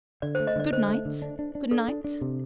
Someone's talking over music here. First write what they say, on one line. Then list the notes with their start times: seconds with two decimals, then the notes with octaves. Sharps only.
Good-night. Good-night.
0.22 D3 D5
0.35 A3 C5
0.47 D#5
0.56 D3 D5
0.72 D3 C5
0.89 A3
1.05 D3
1.22 D4
1.39 D4
1.55 D4
1.71 D4 A4
1.88 D4
2.04 D4
2.21 C3